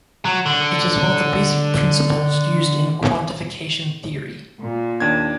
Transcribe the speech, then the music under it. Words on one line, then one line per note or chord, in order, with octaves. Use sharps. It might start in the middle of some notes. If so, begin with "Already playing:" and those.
It is one of the basic principles used in quantification theory.
F#3
D3
A#2
D#2 D4 G#6